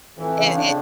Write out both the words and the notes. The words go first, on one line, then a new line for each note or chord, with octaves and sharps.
and and
F2 A2 E3
C#3
D4